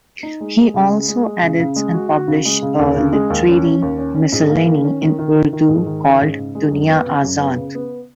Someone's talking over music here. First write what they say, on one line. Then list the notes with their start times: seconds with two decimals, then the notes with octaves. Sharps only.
He also edits and publishes a litetary miscellany in Urdu called "Duniyazad".
0.23 D#4
0.41 G#3
0.58 G#3
0.74 C#3
0.92 G#3
1.08 G#3
1.25 G#3
1.42 C#3
1.59 C#3
1.76 G#3
1.94 F#4
2.10 F#4
2.27 C#3
2.45 G#3
2.62 C#3
2.79 D#2
2.96 C#3
3.13 G#3
3.30 D#2
3.48 C#4
3.64 C#4
3.82 D#2
3.98 C#4
4.15 C#4
4.32 G#2
4.49 A#3
4.66 D#3
4.85 C#4
5.01 D#3
5.19 D#3
5.36 D#3
5.53 D#3
5.69 G#2
5.86 D#3
6.04 C#4
6.21 G#2
6.38 C#3
6.55 G#3
6.71 F#2
6.89 B3
7.06 C#3
7.24 F#2
7.39 B3
7.57 C#3
7.75 B3